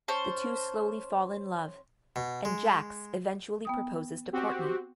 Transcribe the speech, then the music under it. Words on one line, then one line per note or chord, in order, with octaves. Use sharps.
The two slowly fall in love and Jax eventually proposes to Courtney.
C#4 C5 A5
B2
G#3
B3 G5 D#6
C4 F#4 G4